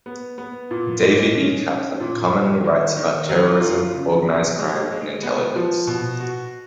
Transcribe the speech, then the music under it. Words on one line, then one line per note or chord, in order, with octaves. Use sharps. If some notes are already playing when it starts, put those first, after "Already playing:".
David E. Kaplan commonly writes about terrorism, organized crime, and intelligence.
B3
B3
A#2
G#3
C#4
C#4
A#2
F#3
D#3
D#3
F#3
F4
C#3
F#3
G#3
G#3
B3
F3
B2
F#4